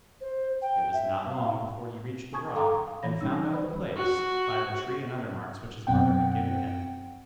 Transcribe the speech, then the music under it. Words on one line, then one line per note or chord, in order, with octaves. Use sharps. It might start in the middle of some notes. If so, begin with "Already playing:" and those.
It was not long before he reached the rock, and found out the place, by the tree and other marks which his brother had given him.
C5
G5
E5
F5
G#5 A5 C#6 D#6 G#6
A4 F5 A#5 C6 D6 D#6
F5
E3 C#5 B5 A#6
G3 C#4 D#4 E6
B4 C5 D5 B5
F#4
F#2 B2 C4 F#5 G5